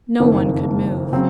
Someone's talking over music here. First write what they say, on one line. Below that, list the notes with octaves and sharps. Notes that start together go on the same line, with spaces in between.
No one could move.
F#1 F2 D#3 A#3
C#3 F#3 C4